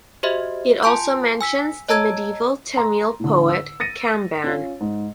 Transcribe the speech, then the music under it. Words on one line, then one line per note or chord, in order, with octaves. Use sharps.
It also mentions the medieval Tamil poet Kamban.
F#4 G4 C5 D#5 E5
F4 G#5 A5 C6 G6
G#5 E6 B6
C#5 D#5 A5 A#5 E6 G#6
A#5 C6
A2 D3
E6
A6 A#6 C#7 D#7
C#4 F4
G#2